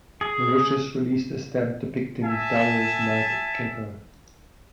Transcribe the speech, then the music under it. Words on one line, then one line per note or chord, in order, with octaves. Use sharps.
Mauritius released a stamp depicting Durrell's night gecko.
G#4
E5 G#5 A5